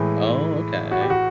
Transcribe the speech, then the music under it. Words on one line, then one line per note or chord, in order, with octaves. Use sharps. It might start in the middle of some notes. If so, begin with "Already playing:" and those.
Oh, okay.
Already playing: A2 E3 G#3
F#4
G4
F#4